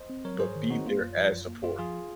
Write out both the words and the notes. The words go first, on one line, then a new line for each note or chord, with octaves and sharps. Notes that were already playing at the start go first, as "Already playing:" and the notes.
but be there as support.
Already playing: C5 D#5
C4
F#3 A#4 C#5
G#2 G#4 C5
D#3
C4 D#4 F#4
A#3 F4
F#2
F3
F#2
A#3
F#2 F4
F3 F4 G#4